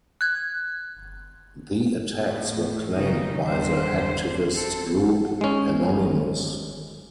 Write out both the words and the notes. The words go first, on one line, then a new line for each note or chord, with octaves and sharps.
The attacks were claimed by the hacktivist group Anonymous.
F#6 G#6
A2
C#3 F#3 D#4
E2 D3 G3 C5
C4 A4
G#3 C#4